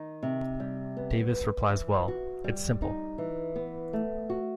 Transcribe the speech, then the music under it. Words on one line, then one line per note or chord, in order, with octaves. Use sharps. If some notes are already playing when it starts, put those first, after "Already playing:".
Davis replies Well, its simple.
Already playing: D#3 D#4
C3
G3
B3
B4
E3
F#4
G3
D#4
E3
B3
A3
F#4